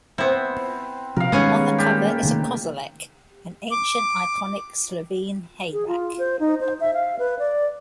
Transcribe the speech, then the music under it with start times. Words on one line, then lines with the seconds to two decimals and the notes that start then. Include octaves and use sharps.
On the cover is a kozolec, an ancient iconic Slovene hayrack.
0.18 B3 C4 E4
1.16 C3 F3 A#4 F5
1.32 D#3 G3 G#3 B3 C#4 G#4
1.78 A#2 G4
2.23 C3 D#3 A3
3.71 D6
5.73 G#4
5.88 F4
6.18 C5
6.40 D#4
6.61 C5
6.80 E5
6.94 F5
7.19 B4
7.39 D5